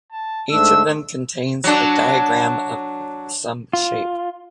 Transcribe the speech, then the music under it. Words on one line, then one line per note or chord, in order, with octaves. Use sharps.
Each of them contains a diagram of some shape.
A5
G#2 A3 D4 E6
F#3 D4
F4